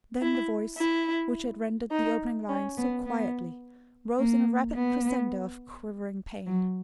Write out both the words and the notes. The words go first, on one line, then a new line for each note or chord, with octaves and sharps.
Then the voice, which had rendered the opening lines so quietly, rose in a rapid crescendo of quivering pain.
E4
E4
D#4
C#4
B3
B3
A#3
B3
F#3